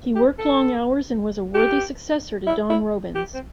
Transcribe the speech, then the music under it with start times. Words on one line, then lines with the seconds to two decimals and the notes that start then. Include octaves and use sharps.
He worked long hours and was a worthy successor to Don Robins.
0.16 G4
0.39 A4
1.54 G4
2.47 E4
2.70 E4
3.15 G4
3.34 C4